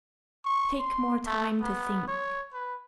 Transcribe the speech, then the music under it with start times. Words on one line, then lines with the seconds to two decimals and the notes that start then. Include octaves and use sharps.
Take more time to think.
0.45 C#6
0.79 C6
1.26 A3
1.61 B3
2.08 C#5
2.53 B4